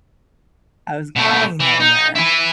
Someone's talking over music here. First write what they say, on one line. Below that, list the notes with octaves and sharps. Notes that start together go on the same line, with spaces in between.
I was going nowhere,
B2 A3
E3
D#4
E4 B4